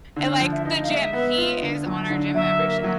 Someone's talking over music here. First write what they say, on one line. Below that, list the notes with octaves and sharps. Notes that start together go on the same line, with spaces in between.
And, like, the gym he is on our gym membership.
D3
F3
E5
D#4
F5
G#3 E5
B3
F4
D3
F#3
D3
F#3 E5
A#3
F#3